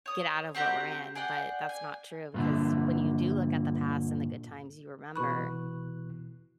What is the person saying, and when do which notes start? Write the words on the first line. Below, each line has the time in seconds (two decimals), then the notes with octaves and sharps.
get out of what we're in, but that's not true, because when you do look at the past and the good times, you remember,
0.06 C#5 D#6
0.55 C4 F#4 G4 A#5
1.15 G#4 D5 F#5 G5
1.69 G#5
2.34 G2 A#2 D3
5.16 B2 E3 B5 C#6 F#6